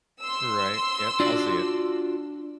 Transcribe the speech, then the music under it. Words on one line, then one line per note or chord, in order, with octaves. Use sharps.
Right, yep, I'll see ya.
C6 E6
D4 F4 F#4 D5